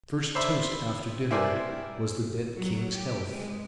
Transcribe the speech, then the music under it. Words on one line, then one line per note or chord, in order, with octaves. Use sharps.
The first toast after dinner was the dead king's health.
C5 D5 E5 B5
E4 A#4 C5 D5 G5 G#5
F#3
G4
G#3